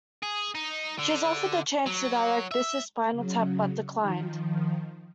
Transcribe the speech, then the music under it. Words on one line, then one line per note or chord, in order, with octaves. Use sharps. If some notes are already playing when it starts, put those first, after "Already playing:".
She was offered the chance to direct "This is Spinal Tap", but declined.
G#4
D#4
D3
F#3
E5
C#3 F#3
D#3 F3